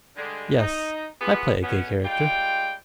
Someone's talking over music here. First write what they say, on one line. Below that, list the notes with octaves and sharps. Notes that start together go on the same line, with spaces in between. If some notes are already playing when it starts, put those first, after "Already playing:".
Yes, I play a gay character.
D3 G3 G#3
D#4
B3 F4 G4 G#4 B4 F#5
B2 B3 C#4
G3 G#3 F4 G5